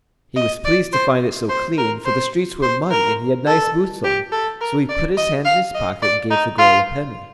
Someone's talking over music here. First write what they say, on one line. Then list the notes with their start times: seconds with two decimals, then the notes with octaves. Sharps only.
He was pleased to find it so clean, for the streets were muddy, and he had nice boots on; so he put his hand in his pocket, and gave the girl a penny.
0.36 D#5
0.65 D5
0.93 C5
1.49 C5
1.78 A#4
2.05 C5
2.62 C5
2.91 A#4
3.47 A4
4.04 G4
4.32 A4
4.61 A#4
4.89 D5
5.17 D#5
5.45 F5
5.74 D#5
6.02 D5
6.31 D#4
6.58 F4